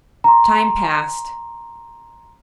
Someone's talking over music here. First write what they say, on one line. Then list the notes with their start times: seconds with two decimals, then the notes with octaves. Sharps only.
Time passed.
0.24 A#5 C6